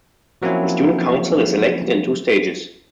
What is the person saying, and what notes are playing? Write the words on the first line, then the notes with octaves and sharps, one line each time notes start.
The Student Council is elected in two stages.
F3 F#3 A#3 C4 C#4 E4